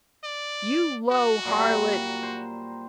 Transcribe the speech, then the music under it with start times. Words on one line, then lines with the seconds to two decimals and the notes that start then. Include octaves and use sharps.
"You low harlot!"
0.23 D5
1.11 F#4
1.45 A#2 F#3 G3
2.22 C5